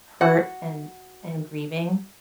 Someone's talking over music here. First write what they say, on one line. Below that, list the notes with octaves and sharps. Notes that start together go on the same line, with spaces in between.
hurt and and grieving,
F#4 F#5